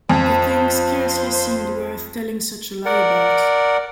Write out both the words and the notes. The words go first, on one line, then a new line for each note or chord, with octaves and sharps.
The thing scarcely seemed worth telling such a lie about.
F2 F4 C5
A#4 D5 F#5